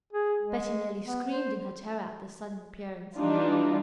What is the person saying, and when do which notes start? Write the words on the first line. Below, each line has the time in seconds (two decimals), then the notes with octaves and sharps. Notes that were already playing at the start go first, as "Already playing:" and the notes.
Betty nearly screamed in her terror at this sudden appearance.
0.13 G#4
0.43 G#3
1.05 B3
1.27 C5
3.16 E3 G3 D4 D#4 F4